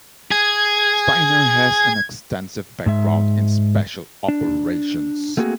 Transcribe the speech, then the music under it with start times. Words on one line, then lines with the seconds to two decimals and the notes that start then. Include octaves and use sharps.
Stiner has an extensive background in special operations.
0.31 G#4 G#6
2.86 G#2 G#3 E5
4.28 D4
5.37 A3 A#3 C4 F#4 G#4